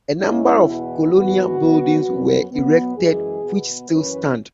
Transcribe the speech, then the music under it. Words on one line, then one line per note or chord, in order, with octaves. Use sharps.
A number of colonial buildings were erected which still stand.
G#2 G#3 C#4 E4
E2 B2 B3
G#2 E3 B3 F#4
B2 F#3 B3
F#2 F#3 B3
B2 F#3 B3
F#2 E3 G#3 G#4
B2 B3
F#2 E3 C#4 B4